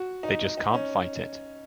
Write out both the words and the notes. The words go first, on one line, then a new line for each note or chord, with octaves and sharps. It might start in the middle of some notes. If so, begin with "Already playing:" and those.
They just can't fight it.
Already playing: F#4
D#4
D#4
C#4